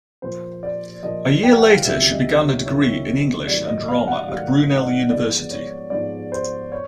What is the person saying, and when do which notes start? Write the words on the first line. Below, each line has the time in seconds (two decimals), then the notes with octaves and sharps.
A year later she began a degree in English and Drama at Brunel University.
0.22 A#2 F3 A#3 C5
0.63 D5
1.03 A#2 F3 A#3 D#5
1.43 G5
1.57 F#5
1.70 F5
1.85 C#2 C3 D#3 F#3 E5
2.12 D#5
2.39 C#5
2.66 C#2 C3 D#3 F#3 C#5
3.47 G#2 D#3 F#3 A3 D5
3.67 D#5
3.88 F5
4.07 F#5
4.28 G#2 D#3 F#3 A3 F5
4.82 D#5
5.09 G#2 F3 G#3 B3 D5
5.51 C#5
5.90 G#2 F3 G#3 B3 D5
6.32 C5
6.72 C#5